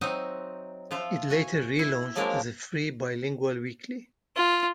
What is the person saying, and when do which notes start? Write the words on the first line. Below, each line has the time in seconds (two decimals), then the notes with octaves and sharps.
It later relaunched as a free bilingual weekly.
0.01 F#3 C4 D#4 F#4 D#5 E5
0.91 F3 F4 E5
1.30 F#4 G#5
1.79 E4
2.15 F3 F#3 G#3 A#3 D4 A#4
4.36 F4